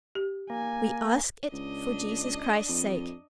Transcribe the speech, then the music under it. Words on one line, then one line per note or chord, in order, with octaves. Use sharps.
We ask it for Jesus Christ's sake.
G4
A#3 G#5
C#2 D4 D#5
F2